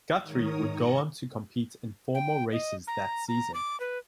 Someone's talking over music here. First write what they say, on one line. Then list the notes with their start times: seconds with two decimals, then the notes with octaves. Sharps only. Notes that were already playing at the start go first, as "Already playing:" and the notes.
Guthrie would go on to compete in four more races that season.
0.23 G#2 D#3 A#4 C#5 D#6
0.71 A5 A#5 G#6 A#6 C#7
2.15 G5
2.52 D#5
2.87 A#5
3.28 A#5
3.54 D6
3.80 B4